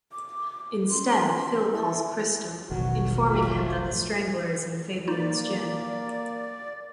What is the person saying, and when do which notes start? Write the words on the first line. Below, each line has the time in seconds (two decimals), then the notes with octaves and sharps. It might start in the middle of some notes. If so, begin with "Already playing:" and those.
Instead, Phil calls Kristo, informing him that The Strangler is in Fabian's gym.
0.12 D6
0.90 C#4 C6
1.72 E4 A4 E5
2.70 E1 A1 B2 D#3 F#3 F#4
3.28 F#3 A3 F4
5.08 A#3 D#4 F4 D5